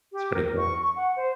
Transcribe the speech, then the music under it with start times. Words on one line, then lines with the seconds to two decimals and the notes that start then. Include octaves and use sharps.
It's pretty cool.
0.12 G4
0.33 A#4
0.57 C#6
0.81 C#6
0.96 F#5
1.16 C5